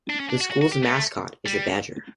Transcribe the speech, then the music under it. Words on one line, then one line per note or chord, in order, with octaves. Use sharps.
The school's mascot is a badger.
D4
C#4
D4
F#4
F#4
F#4
G4
A3
G3